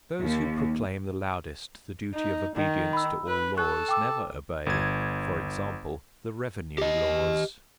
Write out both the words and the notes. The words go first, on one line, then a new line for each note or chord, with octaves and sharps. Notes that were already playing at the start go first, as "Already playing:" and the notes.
Those who proclaim the loudest the duty of obedience to all laws never obey, for example, the revenue laws.
D#2
D#4
D#3
B5 E6
B4
A4 C#6 F#6
G5 D6 E6
G1 G#6
G4 D#5